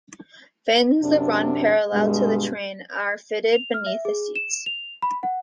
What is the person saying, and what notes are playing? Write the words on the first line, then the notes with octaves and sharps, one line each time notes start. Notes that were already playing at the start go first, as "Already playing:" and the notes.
Fins that run parallel to the train are fitted beneath the seats.
F#2 C3 D4
G2 B2 G#3
F7
F6
E5
G#4
E7
F7
B5
F#5